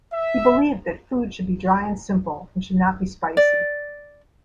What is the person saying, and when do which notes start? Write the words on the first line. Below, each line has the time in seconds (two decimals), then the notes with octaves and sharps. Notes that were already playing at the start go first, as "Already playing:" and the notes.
He believed that food should be dry and simple and should not be spicy.
0.13 E5
3.37 D5